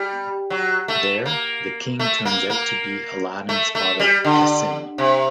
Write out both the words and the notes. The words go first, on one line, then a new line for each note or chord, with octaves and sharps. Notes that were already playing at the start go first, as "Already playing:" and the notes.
There, the king turns out to be Aladdin's father Cassim.
Already playing: G3
F#3
A3
A#3
A3
A#3
A#3
A3
A3
G3
D3
C3